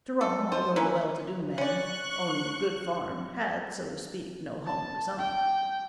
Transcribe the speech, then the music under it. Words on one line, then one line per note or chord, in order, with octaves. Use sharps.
Jerome, although a well-to-do man, owning a good farm, had, so to speak, no home of his own.
A4
F4 C5
E3 A#3 C#4 B4
C#4 D5 C#6 F#6
A5
G5